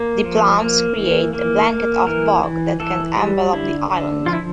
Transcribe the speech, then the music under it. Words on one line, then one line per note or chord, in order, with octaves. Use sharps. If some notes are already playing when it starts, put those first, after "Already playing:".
The plumes create a blanket of vog that can envelop the island.
Already playing: A#3
F3
A#3
E3
A#3
A#3
E3 A#4
E3
E3 A4
G3
D3 E4
D3
F3 F4
E4